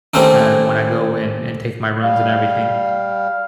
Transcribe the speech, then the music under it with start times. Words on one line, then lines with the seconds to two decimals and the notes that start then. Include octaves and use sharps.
uh, when I go, and and take my runs and everything.
0.14 D#3 G3 A3 C4 C#4 D#4
2.02 G3 F5